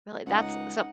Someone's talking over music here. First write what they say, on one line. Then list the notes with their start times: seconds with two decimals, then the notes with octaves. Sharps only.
Really? That's so
0.27 C#2 D#4 F#5